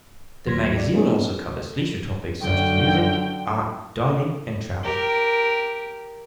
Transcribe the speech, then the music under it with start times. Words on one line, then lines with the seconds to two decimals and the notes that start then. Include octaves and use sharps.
The magazine also covers leisure topics such as music, art, dining, and travel.
0.46 D#2 F#3 C6 G#6 A#6 B6
0.77 D5
0.93 A#3 B3 C#4 D#4 G#4
2.41 F#2 D3 G5
4.84 G4 A#4